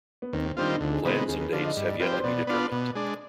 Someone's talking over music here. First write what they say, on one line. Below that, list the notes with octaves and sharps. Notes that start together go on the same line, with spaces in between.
Plans and dates have yet to be determined.
B3
D#2 C4
C4
D#3 G3 C4 D4 F4
D#4
D2 F4
G#4
C3 D#3 G#3 B3 F4
C4
D#2 G#4
B4
D3 F3 D5
D#5
G2
D5
F3 C4 G4 B4
C5
B2 D5
B3 D4 F4
B2
G#3 D4